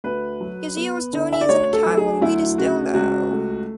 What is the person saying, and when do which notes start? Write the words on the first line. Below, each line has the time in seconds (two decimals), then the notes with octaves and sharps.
Gaziel's journey is in a time when wheat is still low.
0.04 D2 B4
0.40 F#3
0.77 B3
1.13 D3
1.33 E5
1.41 D5
1.49 D2 C#5
1.73 A4
1.86 F#3
1.97 G#4
2.22 D2 E4
2.58 C#3 F#4
2.94 C#2 F#4
3.31 A3